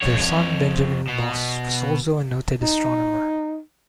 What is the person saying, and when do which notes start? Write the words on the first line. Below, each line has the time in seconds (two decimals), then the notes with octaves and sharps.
Their son Benjamin Boss was also a noted astronomer.
0.03 F2 C#5
1.08 B2
2.62 D#4